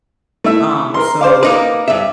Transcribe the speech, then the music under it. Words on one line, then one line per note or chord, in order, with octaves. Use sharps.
um, so
A3 E4 E5
A#4 C6
C5 D5 F5
A#3 D#4 B4 D6
G2 E5